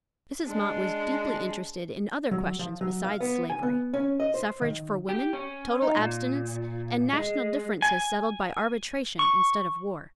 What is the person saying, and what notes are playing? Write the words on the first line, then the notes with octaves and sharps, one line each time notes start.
Mrs. Mott was deeply interested in other questions besides slavery,--suffrage for women, total abstinence, and national differences settled by arbitration instead of war.
G#3 D4
F#3
F3
F#3
F5
B3
G#5
B3
C#4
D#5
C5
D#3
G4
C#4
D#4
A#2
G#3
G#5
C#6